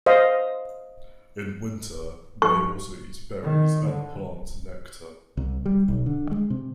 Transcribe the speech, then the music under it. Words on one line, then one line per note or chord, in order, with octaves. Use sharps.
In winter, they also eat berries and plant nectar.
C5 D#5 F5
C#6
D#3
D3
C2
G3
B1
D3
G#3
C3